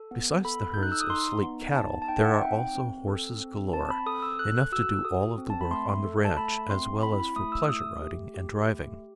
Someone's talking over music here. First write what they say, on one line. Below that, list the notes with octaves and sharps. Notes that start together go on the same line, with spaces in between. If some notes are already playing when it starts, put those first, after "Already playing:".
Besides the herds of sleek cattle, there are also horses galore, enough to do all of the work on the ranch as well as for pleasure riding and driving.
Already playing: A4
B3
A4 B5
D#4 G6
F#6
E6
D#6
D#4 C6
B3
D#4 A5
A5
D#4 G5
E5
F#5
C4 G5
C4
A4
C4
C4 A5
B5
A4 D#6
E6
A4 F#6
F#6
F#4 E6
A4 D#6
C4
A5
B5
A3 C6
A4
A5
A3 B5
C4 C6
E4 B5
B5
A3 D#6
E6
A3 D#6
G4
G4
A3